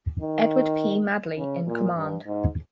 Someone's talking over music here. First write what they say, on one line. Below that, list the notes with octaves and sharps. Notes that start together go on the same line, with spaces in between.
Edward P. Madley in command.
D#3
C#3
A#2
G2
G#2